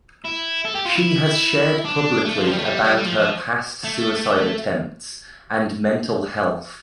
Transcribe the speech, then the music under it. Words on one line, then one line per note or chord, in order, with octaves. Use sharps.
She has shared publicly about her past suicide attempts and mental health.
E4
A4
G4
F4
E4
D4
A3
F3
A3
G3
A3
G3
G3
G3
F3
F3
A3